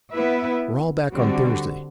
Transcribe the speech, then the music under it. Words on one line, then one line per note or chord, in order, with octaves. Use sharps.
We're all back on Thursday.
B3 E4 B4 E5
D3 G3 C4 F#4